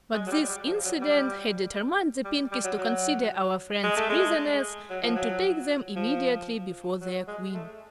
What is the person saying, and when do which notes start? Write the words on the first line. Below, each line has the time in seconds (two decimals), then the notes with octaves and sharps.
But this incident had determined the Pinkies to consider our friends prisoners and to take them immediately before their Queen.
0.13 G#3
0.26 F#3
0.31 G3
0.48 G3
0.66 F3
0.84 F#3
1.01 G3
2.25 G3
2.52 G3
2.64 F#3
2.78 F#3
3.83 G#3
3.97 A3
4.09 G#3
4.90 F#3
5.02 F3
5.15 F#3
5.96 F3
7.01 F#3
7.28 G#3
7.54 A3